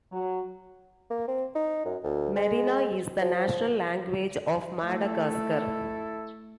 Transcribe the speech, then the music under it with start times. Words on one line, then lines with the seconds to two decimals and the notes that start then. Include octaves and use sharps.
Merina is the national language of Madagascar.
0.12 F#3
1.10 A#3
1.28 C4
1.55 D#4
1.85 F#2
2.04 D2
2.36 G#3
3.21 F3
4.85 A3 E4 A4